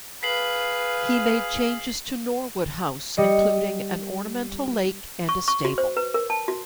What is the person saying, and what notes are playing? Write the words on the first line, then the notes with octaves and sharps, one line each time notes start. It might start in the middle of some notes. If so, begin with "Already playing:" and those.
He made changes to Norwood House including an ornamental lake and a stable.
G#4 B4 F5 B6 C7 F#7
G3 D#5 C#7
C#6
C#6
F#4
C5
B4
A#4
A5
F#4